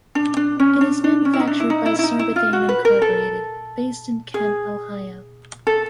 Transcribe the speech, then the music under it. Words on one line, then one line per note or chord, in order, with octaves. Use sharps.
It is manufactured by Sorbothane, Incorporated based in Kent, Ohio.
D4
D4
C#4
D4
D4
C#4
E4
D#4
D4
E4
D#4
E4
E4
D#4
E4
F4
F#4
B4
A#4
A4
G#4
A4